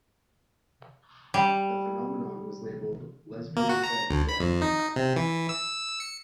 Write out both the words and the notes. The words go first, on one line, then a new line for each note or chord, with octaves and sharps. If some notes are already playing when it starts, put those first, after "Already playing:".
The phenomenon was labeled "lesbian bed death".
G3
A#3
F#4
A#5
D2
B5
F2
D#4
C3
E3
E6
C#7